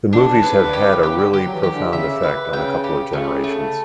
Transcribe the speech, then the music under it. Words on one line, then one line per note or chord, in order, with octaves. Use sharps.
The movies have had a really profound effect on a couple of generations.
D3 D4
C#3
B4
D3
C#3 G4
C#3
G4
D3
G4
F#3
E3
G4
D3
C#3 E5
B4
C#3 G5
G4
C#3 A3
A3